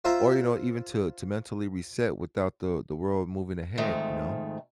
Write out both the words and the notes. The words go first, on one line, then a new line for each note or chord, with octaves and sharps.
or, you know, even to to mentally reset without the the world moving ahead, you know?
F4 C5 E5 A#5
F2 G#2 D#3 A3